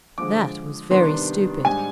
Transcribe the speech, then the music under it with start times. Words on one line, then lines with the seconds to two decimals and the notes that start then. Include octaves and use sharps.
'That was very stupid.
0.18 D3 F3 G#3 D6
0.91 C3 D#3 G3 B3 D4 C6
1.65 G#2 G3 D4 G#5